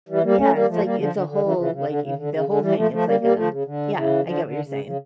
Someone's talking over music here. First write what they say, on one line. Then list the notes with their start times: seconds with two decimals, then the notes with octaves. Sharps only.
Yeah, it's, like, it's a whole, like, eve the whole thing, it's like a yeah, I get what you're saying.
0.09 E3 G3
0.23 G3 A#3
0.38 A3 C#4
0.53 G3 A#3
0.68 F3 A3
0.83 G3 A#3
0.97 D3 F3
1.12 D3
1.27 D3
1.42 C#3 E3
1.57 C#3 E3
1.72 C#3
1.86 D3
2.01 C#3
2.16 D3
2.31 C#3
2.46 D3
2.60 E3 G3
2.76 F3 A3
2.91 F3 A3
3.05 G3 A#3
3.20 G3 A#3
3.35 F3 A3
3.50 C#3
3.65 D3
3.94 C#3 E3
4.23 D3 F3
4.43 D3
4.64 C#3
4.84 C#3